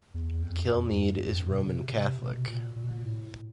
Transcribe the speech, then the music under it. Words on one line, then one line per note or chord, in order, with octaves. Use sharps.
Kilmeade is Roman Catholic.
E2
F2
F2
F2
G2
F2
B2
C#3
C3
C3
B2
A#2
A#2
B2
A#2
A2